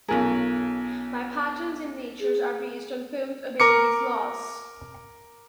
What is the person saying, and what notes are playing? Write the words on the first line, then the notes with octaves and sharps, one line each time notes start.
Many patterns in nature are based on foams obeying these laws.
B1 C#4 F4 G#4 A#4
G#4
A#4 D6 C#7